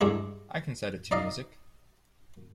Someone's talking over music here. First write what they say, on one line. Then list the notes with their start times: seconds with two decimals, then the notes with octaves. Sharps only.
I can set it to music.
0.01 G2 G#3 D4 E4
1.11 D#4 D5 D#5 F5